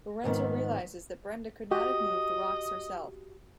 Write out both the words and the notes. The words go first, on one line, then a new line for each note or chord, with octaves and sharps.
Lorenzo realizes that Brenda could not have moved the rocks herself.
F2 G#2 D#3 B3
F#4 G4 D#5